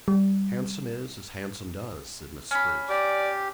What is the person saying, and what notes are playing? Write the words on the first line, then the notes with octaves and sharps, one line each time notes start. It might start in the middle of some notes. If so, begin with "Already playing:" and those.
"Handsome is as handsome does," said Miss Spruce.
G3
C#4 B5
G4 D5